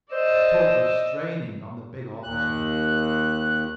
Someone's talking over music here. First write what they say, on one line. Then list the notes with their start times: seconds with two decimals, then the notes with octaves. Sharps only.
The tug was straining on the big hawser.
0.12 C5 D5 D#5 E6
2.24 D#2 F#6